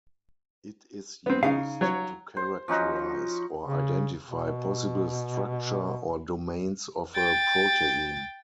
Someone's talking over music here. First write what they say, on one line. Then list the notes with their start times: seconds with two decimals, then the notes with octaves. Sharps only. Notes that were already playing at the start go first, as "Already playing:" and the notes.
It is used to characterize or identify possible structure or domains of a protein.
1.26 B3 C4
1.43 C#3 D#4 F5
1.81 F#3 C#5
2.37 C5
2.68 F3 C#4 D#4 F#4
3.66 C#3
4.27 B2
7.14 G5 A6